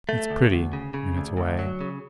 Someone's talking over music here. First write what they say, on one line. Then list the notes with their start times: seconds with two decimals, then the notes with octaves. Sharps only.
It's pretty in its way.
0.09 A3
0.30 D2
0.51 D2
0.73 C#3
0.94 C#3
1.17 D2
1.37 D2
1.59 F#3
1.81 C#3